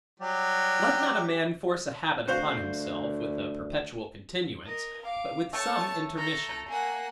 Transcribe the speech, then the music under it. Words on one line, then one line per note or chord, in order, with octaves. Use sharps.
Let not a man force a habit upon himself, with a perpetual continuance, but with some intermission.
F#3 G3 G4
D2 F#4 C5 F5
A#4 D#5
F5 D6
A3 C#5 A5
A4 A#5
A#3 F#5 G#5